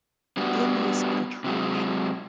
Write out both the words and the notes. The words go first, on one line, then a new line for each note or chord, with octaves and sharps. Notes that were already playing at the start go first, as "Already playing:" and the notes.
in this contraption.
G3 B3 D4 F#4
C3 F#3 G#3